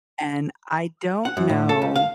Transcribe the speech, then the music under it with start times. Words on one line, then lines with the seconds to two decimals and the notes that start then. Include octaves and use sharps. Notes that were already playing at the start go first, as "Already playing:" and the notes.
and I don't know
1.25 F#5
1.37 F#2
1.49 A2
1.69 A4
1.82 C#2
1.96 F5